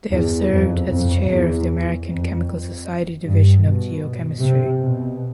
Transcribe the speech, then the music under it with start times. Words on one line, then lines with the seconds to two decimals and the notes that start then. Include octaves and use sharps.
They have served as Chair of the American Chemical Society Division of Geochemistry.
0.10 E2
0.49 F2
0.88 F2
1.27 E2
2.06 F2
3.23 G2
3.63 B2
4.40 C3
4.80 B2